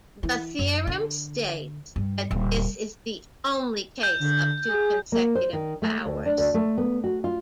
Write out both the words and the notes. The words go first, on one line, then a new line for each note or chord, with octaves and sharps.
The theorem states that this is the "only" case of two consecutive powers.
E3
F#2
D3
G2
D#1 D3
G6
D3
G#4
A#3
C5
D#3
A3
D2
D4
D2
A3
B3
F#4
F4